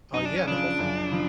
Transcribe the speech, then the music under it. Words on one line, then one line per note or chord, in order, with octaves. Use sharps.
Uh, yeah, the whole thing
F#2 D#4
D4
C#4
C#3 F3 D4
F#2
C#3 F3